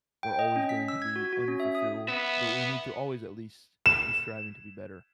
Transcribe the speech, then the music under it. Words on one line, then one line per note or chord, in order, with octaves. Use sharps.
We're always going to be unfulfilled, but we need to always at least be striving to be better,
G5
D#5
C#4
B6
E6
G#6
F#4
F#4
C#4
E5
D#6
B3 E5
E7